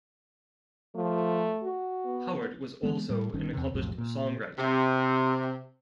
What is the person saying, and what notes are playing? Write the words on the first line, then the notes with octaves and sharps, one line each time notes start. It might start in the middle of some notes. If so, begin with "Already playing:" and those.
Howard was also an accomplished songwriter.
F3 A3
F#4
B3
E3 G#3 B3
A2 G3
G1 G2 D#3 C#4
E2 C3
B1 F2 A2 F#3
A#2
C3